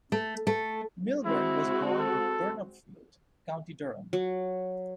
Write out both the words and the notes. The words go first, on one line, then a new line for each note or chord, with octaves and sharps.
Milburn was born in Burnopfield, County Durham.
A3
A3
G#3 C4 E4 F#4
A4
F#3